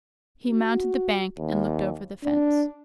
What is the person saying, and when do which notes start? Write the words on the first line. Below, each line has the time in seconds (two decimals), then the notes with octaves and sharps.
He mounted the bank and looked over the fence.
0.48 F#4
1.38 D#2
2.24 D4